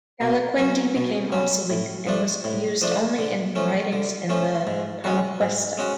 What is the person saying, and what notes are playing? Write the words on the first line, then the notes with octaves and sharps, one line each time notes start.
"Calaquendi" became obsolete, and was used only in writings in the Parmaquesta.
B2
F#3 C#4
B2
F#3 C#4
A2
F3 A3 D4
A2
F3 A3 D4
D3
F3 A3 C#4
D3
F3 A3 C#4
G#2
G#3 C#4 F#4
G#2
G#3 C#4 F#4